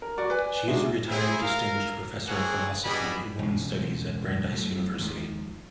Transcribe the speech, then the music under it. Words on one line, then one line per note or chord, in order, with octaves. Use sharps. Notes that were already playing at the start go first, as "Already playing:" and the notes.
She is a retired distinguished professor of philosophy and women's studies at Brandeis University.
A#4
F#4 D5
B4 G#5
G#3 D4 D#4 F#4 E5
E4 G#4 C5
A#4 F5
A3 A#3 C4 G#4 C#5 F#5
G3 B3 D4 G#4 D#5 B5
E1 C#2
F#2 A3
D#2 G#2 F3